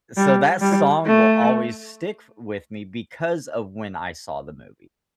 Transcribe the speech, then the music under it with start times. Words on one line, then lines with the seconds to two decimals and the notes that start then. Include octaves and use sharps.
so that song will always stick with me because of when I saw the movie.
0.17 G3
0.61 G3
1.06 A3